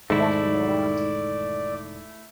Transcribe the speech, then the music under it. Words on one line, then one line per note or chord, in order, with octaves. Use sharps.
What in the world?
E1 G#2 D#3 A3 E4 D5